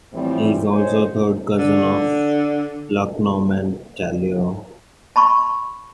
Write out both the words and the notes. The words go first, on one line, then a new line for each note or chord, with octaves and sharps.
He is also a third cousin of Luc-Normand Tellier.
A2 E3 F3 G3 C4
C#4 G#4 A4 C5 C#5 D#5
D3
A5 B5 C#6